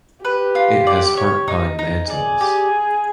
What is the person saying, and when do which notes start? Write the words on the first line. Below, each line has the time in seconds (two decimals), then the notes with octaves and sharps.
It has heart pine mantels.
0.25 G4 B4
0.55 F4
0.87 D5
1.17 C#5
1.48 D#4
1.79 D#4
2.10 G#4 D5
2.41 G4